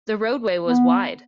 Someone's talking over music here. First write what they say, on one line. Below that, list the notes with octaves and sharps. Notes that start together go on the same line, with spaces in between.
The roadway was wide.
B3